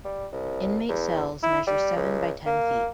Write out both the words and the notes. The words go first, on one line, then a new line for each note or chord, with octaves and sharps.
Inmate cells measure seven by ten feet.
G3
C2
E2
E4
G3
C#2
A#3